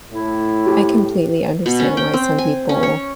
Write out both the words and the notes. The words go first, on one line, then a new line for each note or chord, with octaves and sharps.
I completely understand why some people,
A2 E4
G4
B2
C#4
G5
C4
G#5
C#4
C#5